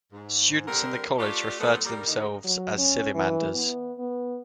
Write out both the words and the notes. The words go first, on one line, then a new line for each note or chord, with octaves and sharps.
Students in the college refer to themselves as Sillimanders.
G#2
D3 G3 C4 A4 A#4
A3 D4 F4 G4 C#5 D5
A2 F#3 A3 B3 C4 A4
G3 A#3 A#4
D2 D#4
F#3
C#4
E3
B3
B3